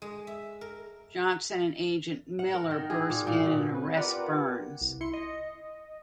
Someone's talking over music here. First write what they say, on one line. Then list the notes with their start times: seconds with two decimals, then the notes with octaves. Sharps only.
Johnson and Agent Miller burst in and arrest Burns.
0.02 G#3
0.27 E5
0.61 A#4
2.39 F#5
2.54 A#4
2.71 D#3
2.90 G#4
3.10 A#2
3.27 A#2
3.46 B2
3.72 C4 B4
3.95 F4 G4 A#4 B4 D5 F#5
4.81 C2
5.01 E4 C6 C#7
5.13 D#5